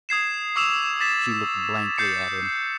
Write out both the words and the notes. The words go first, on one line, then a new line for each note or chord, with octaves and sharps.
She looked blankly at him.
D#6 G#6 C7 E7
C#6 D6 E6 C7 E7 F7
D6 A6 B6 E7
G6 A6 C7 C#7